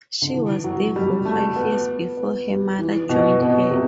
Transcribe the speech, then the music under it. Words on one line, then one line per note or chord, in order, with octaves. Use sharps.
She was there for five years before her mother joined her.
D3
E3
F#3
G3
A3
B3
B3
G3
E3
B2
B2
C3